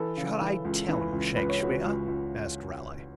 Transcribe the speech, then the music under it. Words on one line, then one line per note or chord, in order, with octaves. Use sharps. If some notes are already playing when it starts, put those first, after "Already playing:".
"Shall I tell 'em, Shakespeare?" asked Raleigh.
Already playing: E3 A4
C#3
E3
C#2
E3
C#2
C#2 B4
C#5
C#2 F#4 B4
C#2
C#2